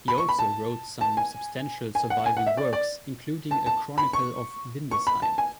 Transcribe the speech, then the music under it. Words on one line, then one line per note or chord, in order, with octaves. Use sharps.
He also wrote some substantial surviving works, including a chronicle of Windesheim.
B5
C#6
B5
A5
A5
G#5
G#5
F#5
G#5
F#5
E5
D5
D5
A5
A5
B5
C#6
C#6
B5
A5
G#5